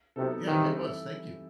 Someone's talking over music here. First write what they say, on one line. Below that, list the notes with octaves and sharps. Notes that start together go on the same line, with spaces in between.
Yeah, it was, thank you.
C3 F#3 B3 D#4 A4
D#3 E3 G3 C4 D#4
E4 A4